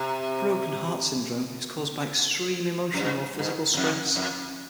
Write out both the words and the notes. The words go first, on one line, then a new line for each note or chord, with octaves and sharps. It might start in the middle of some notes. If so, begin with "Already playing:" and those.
Broken heart syndrome is caused by extreme emotional or physical stress.
Already playing: C3
F#2
G2
G2
E2
F2
F2